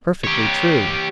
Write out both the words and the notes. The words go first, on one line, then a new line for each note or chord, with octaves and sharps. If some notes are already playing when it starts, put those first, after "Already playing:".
"Perfectly true."
G4 C#5